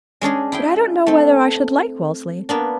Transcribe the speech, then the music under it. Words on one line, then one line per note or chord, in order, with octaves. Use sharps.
But I don't know whether I should like Wellesley.
G#3 C#4 D4 G#4
E4 G#4 G5
A3 C4
A#3 B3 D4